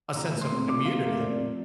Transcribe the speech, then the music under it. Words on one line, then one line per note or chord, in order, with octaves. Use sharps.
a sense of community,
A#2 A#5
A3
C6
C4
A#2 D6
A#2 F5
A3 A#4
C4 D5
F3